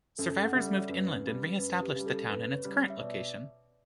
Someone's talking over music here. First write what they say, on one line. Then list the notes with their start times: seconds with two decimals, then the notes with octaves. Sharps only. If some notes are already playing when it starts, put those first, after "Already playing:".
Survivors moved inland and re-established the town in its current location.
0.18 F#2 A4
0.44 F#5
0.54 C#3 G3 E5
0.67 D5
0.78 C#5
0.89 F#2 B4
1.24 C#3 G3
1.59 F#2 B4
1.83 G4
1.95 C#3 G3
2.06 A4
2.29 F#2 B4
2.52 C#5
2.65 C#3 G3
2.76 C#5
2.90 E5
2.99 B2 D5